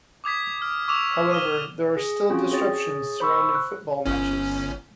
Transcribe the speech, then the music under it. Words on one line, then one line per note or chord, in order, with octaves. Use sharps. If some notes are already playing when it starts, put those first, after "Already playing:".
However, there are still disruptions surrounding football matches.
D6 D#6 G#6 B6
F6
C#6 D6 E6 E7 F7
D#7 E7 G7
G#4
C4 C#4 F4 F#4 G5
G#4 C#5 A6
C5 B5 C#6 E6
F#6
G1 C#4